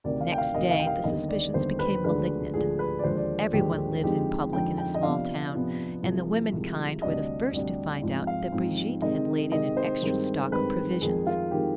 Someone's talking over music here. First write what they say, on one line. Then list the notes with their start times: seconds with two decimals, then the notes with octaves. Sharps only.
Next day the suspicions became malignant. Everyone lives in public in a small town, and the women-kind were the first to find out that Brigitte had laid in an extra stock of provisions.
0.04 D2 C3 D#3 D5
0.21 F5
0.32 G5
0.38 F5
0.54 D2 C3 D#3 D#5
0.71 F5
0.79 G5
0.87 F5
1.04 D#2 D3 G3 B3 D#4 D#5
1.29 D5
1.54 D#2 D3 G3 B3 D#4 C5
1.79 B4
2.04 D2 D3 F3 G#3 D4 B4
2.54 D2 D3 F3 G#3 D4 G#4
2.79 B4
2.99 D5
3.04 D#2 D3 F3 G#3 C5
3.17 D5
3.53 D#2 D3 F3 G#3 G4
4.03 F2 D3 G#3 C4 D#4 G4
4.53 F2 D3 G#3 C4 D#4 G5
4.78 G5
4.94 D#5
5.03 C3 F3 B3 D4 F5
5.53 C3 F3 B3 D4
6.03 C2 C3 F3 G#3
6.52 C2 C3 F3 G#3
7.02 D2 C3 G3 D4 D#5
7.53 D2 C3 G3 D4
8.02 G#2 F3 C4 D#4
8.27 F5
8.52 G#2 F3 C4 D#4
9.02 C3 D#3 G#3 C4 D#4 D#5
9.52 C3 D#3 G#3 C4 D#4 D#5
9.77 C5
10.02 G2 D#3 G#3 C4 D#4
10.52 G2 D#3 G#3 C4 D#4 B4
11.01 F2 D#3 G#3 C4 D#4 G#4
11.27 F4
11.51 D#3 G#3 C4 D#4 G4